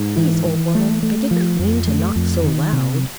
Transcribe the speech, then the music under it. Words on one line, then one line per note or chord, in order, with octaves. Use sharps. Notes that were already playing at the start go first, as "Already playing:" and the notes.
"Please, old woman, I did not mean to knock so loud."
Already playing: G#2
E3
E3
A3
A3
F3
F2
A3
F2
D#3
C3